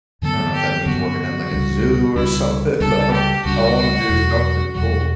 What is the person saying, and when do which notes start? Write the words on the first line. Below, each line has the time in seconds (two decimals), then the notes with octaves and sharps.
I don't know if that means working at, like, a zoo or something, but I want I wanna do something cool.
0.22 G2 D3 F#3 B3 A4
0.54 G4
0.86 G2 D3 F#3 B3 F#4
1.51 C#2 C#3 G3 D4
2.15 C#2 C#3 G3 D4 E4
2.80 C#2 C#3 G3 D4 A4
3.12 G4
3.45 C#2 C#3 G3 D4 F#4
4.09 E2 B2 F#3
4.74 E2 B2 F#3 F#4